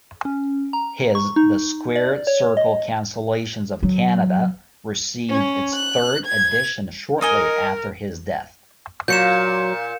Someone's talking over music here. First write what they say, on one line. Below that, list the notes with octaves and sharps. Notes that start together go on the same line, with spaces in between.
His "The Squared-Circle Cancellations of Canada" received its third edition shortly after his death.
C#4
A#5
C#6
D#4
D5
C#5
D#5
F#3
C#4
F#6
G#6
D#4 A#4 D#5 G#5
A#2 F#3 G6 C#7 E7